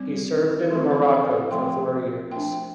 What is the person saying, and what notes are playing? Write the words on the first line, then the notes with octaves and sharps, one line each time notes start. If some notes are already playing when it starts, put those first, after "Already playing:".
He served in Morocco for four years.
Already playing: G3 C4
F3 A3 C4 A4
C5
D5
F5
F3 A3 C4 G5
F3 A3 D4 G5